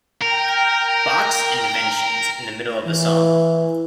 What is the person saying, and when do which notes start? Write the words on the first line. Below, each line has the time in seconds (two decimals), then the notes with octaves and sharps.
Bach's Inventions in the middle of the song.
0.22 A#4 G5 A#5
2.87 E3